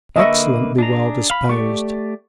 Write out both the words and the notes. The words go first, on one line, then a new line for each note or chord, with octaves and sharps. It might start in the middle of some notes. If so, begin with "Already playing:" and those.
"Excellently well disposed."
D3 A#3 B4 D#5 E5 C#6
D4 G#4 A#5
F5 B5
A3 G4 D5 C#6